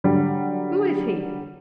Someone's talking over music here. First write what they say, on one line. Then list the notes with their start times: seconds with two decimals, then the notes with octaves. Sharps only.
Who is he?'
0.04 D3 F#3 G3